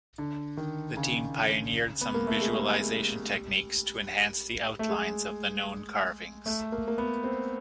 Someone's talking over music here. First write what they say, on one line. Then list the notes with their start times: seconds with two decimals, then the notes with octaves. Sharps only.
The team pioneered some visualisation techniques to enhance the outlines of the known carvings.
0.18 D3
0.57 D#3
0.97 C#3
2.01 B3
2.14 A#3
2.27 A3
2.41 G#3
2.53 G3
4.79 A3
4.89 G#3
6.46 A3
6.72 A#3
6.88 A#3
6.98 B3
7.24 C4